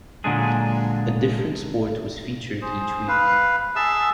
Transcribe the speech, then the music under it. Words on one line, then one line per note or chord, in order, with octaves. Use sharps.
A different sport was featured each week.
A#2 D3 F#3 G#3 D4 G#4
G#4 C5
B4 F5
G#4 E5 A5 E6